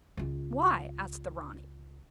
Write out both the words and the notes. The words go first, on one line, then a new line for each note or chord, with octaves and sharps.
'Why?' asked the ranee.
C#2 F4